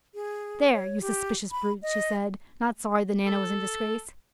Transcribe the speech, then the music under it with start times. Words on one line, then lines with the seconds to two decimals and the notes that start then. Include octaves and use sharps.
"There, you suspicious brute," she said, not sorry that Nana was in disgrace.
0.14 G#4
0.73 C#5
1.01 G4
1.51 B5
1.82 D#5
3.26 A4